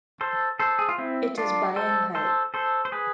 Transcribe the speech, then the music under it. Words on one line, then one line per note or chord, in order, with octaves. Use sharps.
It is by and high.
A4 C5
A4 C5
G#4
F4
C4 E4
D4 F4
A4 C5
A4 C5
A4 C5
C5
G#4 B4